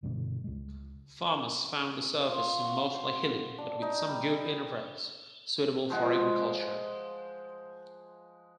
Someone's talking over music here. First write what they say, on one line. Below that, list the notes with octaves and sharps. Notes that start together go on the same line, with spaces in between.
Farmers found the surface mostly hilly, but with some good intervales suitable for agriculture.
C2 G2 B2 D3
C#2 G#3
F4
F#4
C5
D4
D#4
G3
G3
F3 G#3 F#5